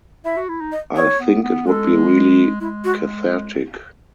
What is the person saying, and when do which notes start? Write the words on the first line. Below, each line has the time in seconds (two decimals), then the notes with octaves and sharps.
I think it would be really cathartic.
0.25 E4 E5
0.37 F#4
0.49 E4
0.61 D#4
0.72 D#5
0.96 C#5
1.19 B3
1.43 B3
1.66 G#3 A4
2.61 G#3 E4
2.84 F#4